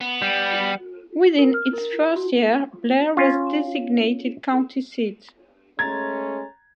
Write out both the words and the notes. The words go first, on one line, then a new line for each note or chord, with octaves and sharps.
Within its first year, Blair was designated county seat.
B3
G3
A#4
F6
A#4
F#4
C#4 F4
G#3 A3 C#4 A#5 G#6 A6